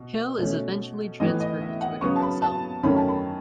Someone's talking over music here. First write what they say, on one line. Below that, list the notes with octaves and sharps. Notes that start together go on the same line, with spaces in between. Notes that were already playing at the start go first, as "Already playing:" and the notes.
Hill is eventually transferred to a different cell.
Already playing: B2
B2 A3 C#4
A2 E3 B3 D#5
D#5
E5
F#5
C#3 F#3 B3 C#6
A5
B5
A5
F#2 D#3 A3 C#4 B5
A5
B5